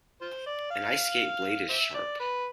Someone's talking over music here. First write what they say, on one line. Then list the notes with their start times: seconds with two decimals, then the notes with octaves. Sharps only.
An ice skate blade is sharp.
0.21 F4 C5
0.46 D5
0.71 F5
1.70 C5 E5
1.94 D5
2.20 B4